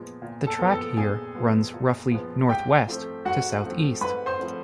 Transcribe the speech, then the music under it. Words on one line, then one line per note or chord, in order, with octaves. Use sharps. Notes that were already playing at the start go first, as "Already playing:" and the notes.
The track here runs roughly north-west to south-east.
Already playing: A#2 F3 G#3 B3
A#2
A4 A5
F3 G#3 B3
A4 A5
A#2 G#4 G#5
F3 G#3 B3
A#2
F3 G#3 B3
G#2 G4 G5
F3 A3 C4
G#2 F#4 F#5
F3 A3 C4
G#2 B4 B5
C5 C6
F3 A3 C4